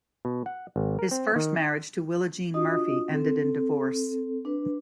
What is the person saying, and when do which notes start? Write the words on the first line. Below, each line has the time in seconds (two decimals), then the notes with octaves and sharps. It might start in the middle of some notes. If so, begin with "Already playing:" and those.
His first marriage to Willa Jean Murphy ended in divorce.
0.25 B2
0.46 F#5
0.76 G#1
0.99 A#4
1.11 C4
1.36 D#3
2.54 D4 F4 F#4 D#5 D#6
3.10 C4 A4
4.45 D4 B4